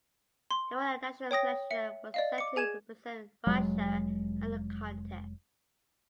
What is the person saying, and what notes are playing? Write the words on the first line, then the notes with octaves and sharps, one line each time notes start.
They won the national selection and were set to represent Russia at the contest.
C6
C#5 G5 D#6 A#6
E5 C#7
D5 D#5 F5
D6 C#7
G#4 G#5 G#6 E7
F1 F#3 G#3